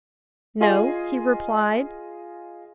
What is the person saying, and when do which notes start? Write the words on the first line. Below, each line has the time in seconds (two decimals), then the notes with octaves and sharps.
"No," he replied.
0.61 F4 G#4 D#5 G#5 C6